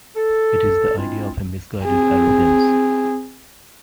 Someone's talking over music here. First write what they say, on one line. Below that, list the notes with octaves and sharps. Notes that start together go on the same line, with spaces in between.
It is the idea of a misguided arrogance.
A4
G#3 C4 D4 E4 F4
C4 G#4